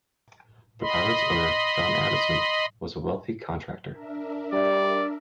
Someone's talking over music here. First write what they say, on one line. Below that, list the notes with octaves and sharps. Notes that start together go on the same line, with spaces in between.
The Pirate's owner, John Addison, was a wealthy contractor.
D#5 B5 C6
D4 A#4 E5
G3 D5